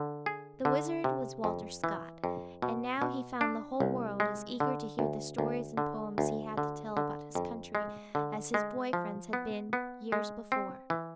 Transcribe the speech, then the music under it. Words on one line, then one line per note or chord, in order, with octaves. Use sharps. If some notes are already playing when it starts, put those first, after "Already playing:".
The Wizard was Walter Scott, and now he found the whole world as eager to hear the stories and poems he had to tell about his country as his boy friends had been years before.
Already playing: D3
G#4
D3
C3
F2
E3
F2
B2
B2
D4
C2
G#3
D3
D2
D2
D3
D2
D3
D3
F2
G#3
D3
G#3
F3
B3
B3
G#3
C4
E3